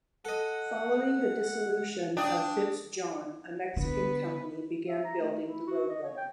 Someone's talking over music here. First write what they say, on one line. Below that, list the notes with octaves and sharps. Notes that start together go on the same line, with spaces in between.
Following the dissolution of FitzJohn, a Mexican company began building the Roadrunner.
A4 D#5 F#5
D4 G5 D#6
D3 B3 B4
E5
A#5
A3
E4
F#4
D#5
C#5
G5